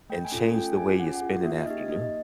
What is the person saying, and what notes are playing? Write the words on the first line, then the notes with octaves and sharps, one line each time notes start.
and change the way you spend an afternoon?
A3 G5
G#5
C#4 F4 A4
C#4 G5
F4 G#4 G#5
C#4 F#5
F4 G#4
A#3 E5
D#4 G4 D#5
A#3 D#5